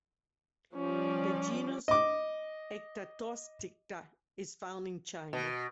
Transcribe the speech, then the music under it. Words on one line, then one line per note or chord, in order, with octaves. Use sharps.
The genus "Ectatosticta" is found in China.
F3 G3 C#4 D5
D#5 D6
B2